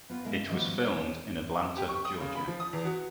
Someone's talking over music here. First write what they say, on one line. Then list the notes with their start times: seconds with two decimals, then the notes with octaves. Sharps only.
It was filmed in Atlanta, Georgia.
0.09 B3 F4 G4 B4
0.25 B2 G#3 E4 A#4 F5
0.49 D#3 F3 G3 B3 F#4
0.81 C#5 D5
1.77 G4
1.89 C#6
2.05 D#6
2.20 C#3
2.35 B5
2.48 F3
2.60 D#6
2.73 E2
2.85 F#4